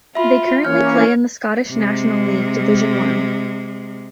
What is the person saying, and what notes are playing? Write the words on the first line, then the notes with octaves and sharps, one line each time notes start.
They currently play in the Scottish National League Division One.
F4 E5 B5
E3 A#3 C#4 C#5 F6 G6
C3 G#3